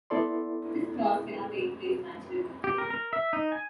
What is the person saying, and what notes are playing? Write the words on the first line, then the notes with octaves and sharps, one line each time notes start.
This cross cannot take place naturally.
B3 E4 A4 D5 C6
G4
A#4
A#4
E5
D#4
G#5